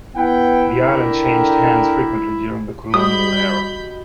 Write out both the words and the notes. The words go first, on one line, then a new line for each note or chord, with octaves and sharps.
The island changed hands frequently during the colonial era.
B3 E4 F#5 G5
D3 G4 A#4
G3 F#4 G4 D#5 B5 D#6 G6